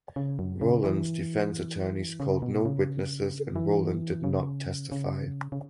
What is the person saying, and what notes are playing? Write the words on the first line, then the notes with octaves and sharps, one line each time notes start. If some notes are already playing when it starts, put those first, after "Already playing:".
Rowland’s defense attorneys called no witnesses and Rowland did not testify.
C#3
F#2
C#3
E3
C#3
B2
C#3
E3
C#3
C#3
C#3